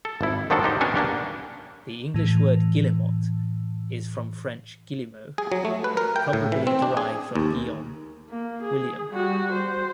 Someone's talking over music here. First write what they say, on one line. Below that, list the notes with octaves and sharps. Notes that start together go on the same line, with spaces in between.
The English word "guillemot" is from French "guillemot" probably derived from "Guillaume", "William".
A4
G#1 E4
D#3 F3 F#3 D4 F#4 A4
C#4 D#4 G4 C5
B3 C#4 D4 F#4 C#5 G#5
A#3 D4 G4
A2 E3
G#4
F#3
A3
B4
A#4
G5
A2
E3
C4
D4
G#4
D#2
A#3
G#4
G3 F#4
C5